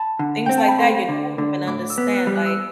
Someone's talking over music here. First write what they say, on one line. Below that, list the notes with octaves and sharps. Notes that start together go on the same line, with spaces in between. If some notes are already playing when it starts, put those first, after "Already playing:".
Things like that, you don't even understand, like,
Already playing: A5 B5
D3
C4 G5
A5
B5
A3 C6
D3
D3
A2 D6
E6
B3
F#6
G3
F#6
E6